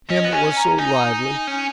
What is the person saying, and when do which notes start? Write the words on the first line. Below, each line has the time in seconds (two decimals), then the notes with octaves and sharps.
Him that was so lively!
0.10 C#4 D#5
0.25 B3
0.32 C#4 G#5
0.57 A#5
0.79 D#4 G#5
1.48 C#4